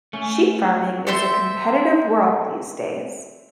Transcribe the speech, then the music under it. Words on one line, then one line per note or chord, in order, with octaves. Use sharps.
Sheep farming is a competitive world these days.
A3 C#4
A4 C5 E5 C6